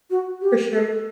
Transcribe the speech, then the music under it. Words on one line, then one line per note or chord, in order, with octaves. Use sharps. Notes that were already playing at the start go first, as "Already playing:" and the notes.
For sure.
F#4
G4
A4